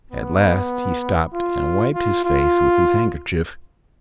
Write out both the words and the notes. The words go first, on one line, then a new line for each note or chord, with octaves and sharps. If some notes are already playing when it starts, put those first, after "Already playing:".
At last he stopped and wiped his face with his handkerchief.
B3
F4
F4
F4